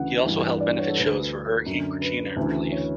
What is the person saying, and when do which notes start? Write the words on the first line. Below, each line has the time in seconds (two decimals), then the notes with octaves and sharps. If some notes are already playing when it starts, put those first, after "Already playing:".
He also held benefit shows for Hurricane Katrina relief.
Already playing: D2 C#3 E3 F#5
0.26 G2 E3
0.61 D5
0.78 C#5
0.90 A4
0.96 D2 D3 B4
1.66 F#2 D3
2.02 B4
2.36 D2 C#3 E3
2.72 C#5